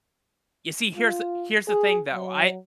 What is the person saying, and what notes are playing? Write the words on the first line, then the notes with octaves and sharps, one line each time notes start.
You see, here's the here's the thing, though. I,
F4
G#4
F#3